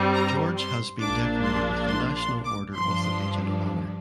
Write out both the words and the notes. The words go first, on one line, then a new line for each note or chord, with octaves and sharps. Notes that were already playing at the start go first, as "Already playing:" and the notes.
George has been decorated with the National Order of the Legion of Honour.
Already playing: G2 G3 C4
A#5
C6
A#1 A#2 A#3 D4 D6
C6
C6
C6
D6
G2 F3 D4 C6